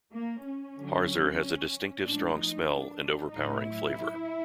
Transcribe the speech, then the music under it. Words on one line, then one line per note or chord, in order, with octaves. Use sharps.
Harzer has a distinctive strong smell and overpowering flavour.
A#3
C#4
D3 F#3
A2 F3 G#3 D4
D#4
D4
A2 F#3 D#4
E4